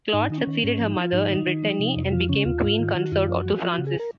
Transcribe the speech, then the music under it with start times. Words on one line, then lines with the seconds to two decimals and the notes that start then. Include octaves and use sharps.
Claude succeeded her mother in Brittany and became queen consort to Francis.
0.13 G#2 D#4
0.30 D#3 D#4
0.38 C#4
0.47 D#3
0.63 G#2 C#4
0.80 F3
0.87 D#4
0.97 F3 F4
1.12 G#2 D#4
1.29 D#3
1.47 D#3
1.63 F3
1.79 C3
1.96 F2
2.12 F3 F4
2.29 C#3 C#4
2.45 D#2 F4
2.62 G#2
2.79 D#3
2.95 D#3
3.02 F#4
3.12 F#2 F4
3.29 F3
3.37 F#4
3.46 F3
3.61 F3 F4
3.73 C#3 F#4
3.87 G#4
3.99 A#4